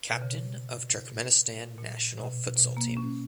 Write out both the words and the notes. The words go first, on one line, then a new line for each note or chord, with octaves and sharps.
Captain of Turkmenistan national futsal team.
B2
C#3
A#2
B2
B2
A#3
C#4